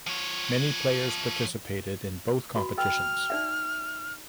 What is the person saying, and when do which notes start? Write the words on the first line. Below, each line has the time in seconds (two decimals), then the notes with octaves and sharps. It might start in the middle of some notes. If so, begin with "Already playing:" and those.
Many players participated in both competitions.
0.07 F3 C#5
2.56 F#4 B5
2.78 D#5 G5 E6 F6
3.30 D#4 D5 E5